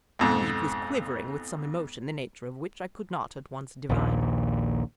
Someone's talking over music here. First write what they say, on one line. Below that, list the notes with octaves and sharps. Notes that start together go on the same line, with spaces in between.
Eve was quivering with some emotion the nature of which I could not at once divine.
B1 F2 G#2
A#1 D#2 A#2